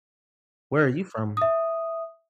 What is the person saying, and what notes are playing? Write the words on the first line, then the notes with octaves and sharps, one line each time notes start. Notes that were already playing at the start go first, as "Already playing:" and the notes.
Where are you from?
E5 D#6